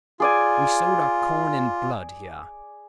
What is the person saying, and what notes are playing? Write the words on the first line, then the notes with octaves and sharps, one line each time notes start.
We sowed our corn in blood here.
F4 G#4 D5 G#5